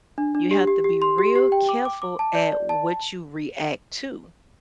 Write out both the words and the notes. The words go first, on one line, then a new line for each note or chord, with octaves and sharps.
"You have to be real careful at what you react to."
D4
D4
G4
G4
G4
C6
G4
G4
G5
D6
D6
D6
A5
D5
D5
A5